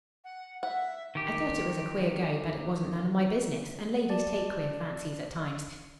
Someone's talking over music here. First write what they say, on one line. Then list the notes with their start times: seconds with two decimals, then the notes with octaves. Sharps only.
I thought it was a queer go, but it wasn't none of my business, and ladies take queer fancies at times.
0.24 F#5
0.63 E5 F#5
1.15 D#3 G4
4.10 D5 A5